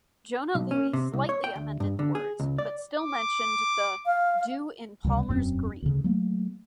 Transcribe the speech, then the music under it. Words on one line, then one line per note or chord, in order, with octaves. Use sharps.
Jona Lewie slightly amended the words, but still mentioned the "do in Palmers Green".
B1
C#4
C3
C2
C#5
G5
D2
G2
D3
G#4
C#2
D5
D6
F5
C#2 C3 E3 G3
E1 F#2 G3 C4
D2 C#3
F#3 A3 A#3